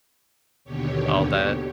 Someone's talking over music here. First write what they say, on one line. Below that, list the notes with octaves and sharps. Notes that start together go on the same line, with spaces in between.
all that,
D#2 B2 D3 G4 C#5